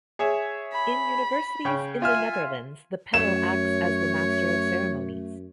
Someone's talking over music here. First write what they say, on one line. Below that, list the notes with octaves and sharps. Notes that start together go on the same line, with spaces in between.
In universities in the Netherlands the pedel acts as a master of ceremonies.
G#4 C#5 E5
B5
C#3 G5 C#6
F4 E5 G#5 F6
F#2 A3 C#5 E7